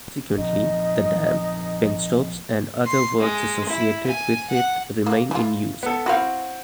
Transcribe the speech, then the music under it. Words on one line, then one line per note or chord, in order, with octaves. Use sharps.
Consequently, the dam, penstocks and other works associated with it remain in use.
A#1 F2 D#4 D#5
C6
G#3
E4
G#5
F#5
A#3
E3 E4 F4
B3 A4
C4 E4 F#4 B4 F5